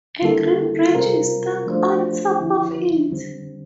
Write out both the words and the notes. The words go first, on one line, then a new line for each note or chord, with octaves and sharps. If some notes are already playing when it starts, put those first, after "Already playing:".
A green branch is stuck on top of it.
D3 G3 A#3 E4 A4
C3 G3 C4 F4 A#4
F3 A3 D4 F4 C5
D3 F3 C4 E4
D3 G3 C4